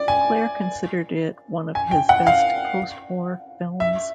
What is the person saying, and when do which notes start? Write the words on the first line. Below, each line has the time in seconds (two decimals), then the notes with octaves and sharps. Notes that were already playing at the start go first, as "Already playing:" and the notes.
Clair considered it one of his best post-war films.
Already playing: D5
0.08 G#5
1.75 G#5
1.91 G5
2.09 F#5
2.27 F5
3.80 E5